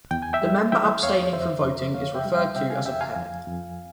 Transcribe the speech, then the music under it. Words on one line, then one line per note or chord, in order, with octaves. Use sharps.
The member abstaining from voting is referred to as a pair.
E2 G5
G#5
E5 G5
G3
E3 E5 G5
E2 C#5 F5
F2 C5 E5
F2
F2 C#5 F5
E5 G5
G3
E5 G5
C3 E5 G5
F5 G#5
F2 E5 G5
F5 G#5
F2
F2